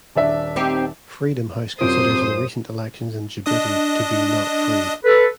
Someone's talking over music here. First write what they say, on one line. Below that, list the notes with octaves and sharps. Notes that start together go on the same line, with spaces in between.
Freedom House considers the recent elections in Djibouti to be "not free".
D#1 D4 E5
C4 D#4 G4
F#2 C3 F4 C5 D#6 D7
D4 D#5 D#6
A4 B4